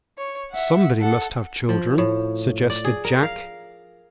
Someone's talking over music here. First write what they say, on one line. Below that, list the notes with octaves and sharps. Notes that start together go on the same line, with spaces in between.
"Somebody must have children," suggested Jack.
C#5
E5 F#5
A4 F#5
F3
A2
D5
G#4
A#4
F5